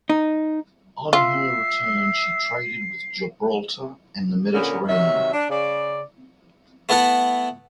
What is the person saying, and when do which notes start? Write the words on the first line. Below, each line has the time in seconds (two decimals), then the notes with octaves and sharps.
On her return she traded with Gibraltar and the Mediterranean.
0.09 D#4
1.13 F4 E5 C7
4.54 A#2 D3 B3 C#4 A#4
4.88 C3 D#3 F#3 E5
5.33 D4
5.50 C#3 D5
6.89 A3 B3 E4 A4 F#5